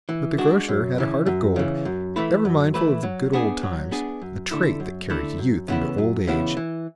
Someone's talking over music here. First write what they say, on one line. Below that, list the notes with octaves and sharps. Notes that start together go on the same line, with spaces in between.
But the grocer had a heart of gold, ever mindful of the good old times--a trait that carries youth into old age.
E3
G#3 D4 F#4
F#2
C#3 E3
F#2
C#3 E3
F#2
E3 A3 E4 B4
F#2
E3 A3 E4 B4
F#3
B3 D4 G#4
F#3
B3 D4 G#4
F#2
D3 A3 E4
F#2
D3 A3 E4
F#2
C#3 E3 B3 E4
F#2
C#3 E3 B3 E4
E3